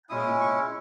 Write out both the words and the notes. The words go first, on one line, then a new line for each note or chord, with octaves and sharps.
I mean
G#3 C#4 E4 D#6
C#6